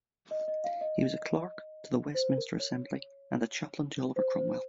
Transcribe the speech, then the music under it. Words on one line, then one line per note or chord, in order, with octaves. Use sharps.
He was a clerk to the Westminster Assembly and a chaplain to Oliver Cromwell.
D#5
D#5
F5
D#5
C5
A#4
C#5
C5
C5